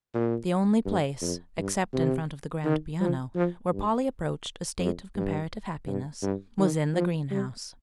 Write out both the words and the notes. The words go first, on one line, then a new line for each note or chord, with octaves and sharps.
The only place, except in front of the grand piano, where Polly approached a state of comparative happiness, was in the greenhouse.
A#2
G2
F2
G2
C3
D#3
F3
F3
G2
F2
G2
G2
G2
D#3
F3
G3